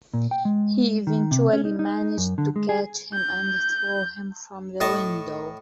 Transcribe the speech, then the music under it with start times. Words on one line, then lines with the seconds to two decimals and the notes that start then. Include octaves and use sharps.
He eventually managed to catch him and throw him from the window.
0.14 A#2
0.31 G5
0.45 G#3
1.07 D#3
1.31 C3
1.53 C#4
1.65 D#4
1.79 D#4
2.18 F#2
2.38 D3
2.56 G#3
2.69 G#4
3.14 G6
4.81 A2 D#5 A5 C#6